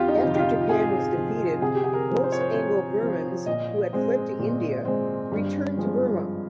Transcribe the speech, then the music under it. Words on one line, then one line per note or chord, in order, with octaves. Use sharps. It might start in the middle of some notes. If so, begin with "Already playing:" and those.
After Japan was defeated, most Anglo-Burmans who had fled to India returned to Burma.
Already playing: F2 F4 G4
D#4
C3 F3
G4
F4
F2 G#4
C3 F3
C3 G#4
G4
G#4
A#4
F3 C4
C5
C#5
C5
C3 C#5
F3 C4
A#2 D#5
G#3 C4
A#2
G#3 C4
G2
F3 G#3 C4